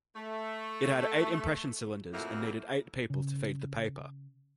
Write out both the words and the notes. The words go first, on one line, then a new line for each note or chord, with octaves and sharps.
It had eight impression cylinders and needed eight people to feed the paper.
A3
F2 A2 A3 A#3 E4 F#4
C#3